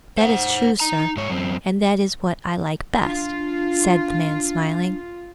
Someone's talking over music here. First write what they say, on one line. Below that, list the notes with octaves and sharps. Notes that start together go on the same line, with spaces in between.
"That is true, sir, and that is what I like best," said the man, smiling.
C5 F#5
D#4 A#5
G#2 C#5
F#2 C4
D4 F4